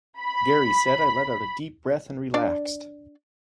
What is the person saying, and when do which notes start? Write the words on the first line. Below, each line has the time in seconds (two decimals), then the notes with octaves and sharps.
Geary said I let out a deep breath and relaxed.
0.20 B5
2.34 D4 D5